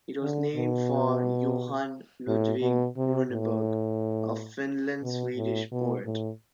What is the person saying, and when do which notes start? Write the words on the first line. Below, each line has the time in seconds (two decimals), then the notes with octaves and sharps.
It was named for Johan Ludvig Runeberg, a Finland-Swedish poet.
0.22 D3
0.56 B2
2.28 A2
2.62 B2
2.97 C3
3.31 A2
5.03 B2
5.37 A2
5.72 B2
6.06 A2